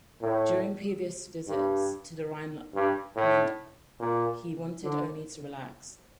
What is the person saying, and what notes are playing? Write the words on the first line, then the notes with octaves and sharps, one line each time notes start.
During previous visits to the Rhineland he wanted only to relax.
A2
G2
G2
A2
A#2
D3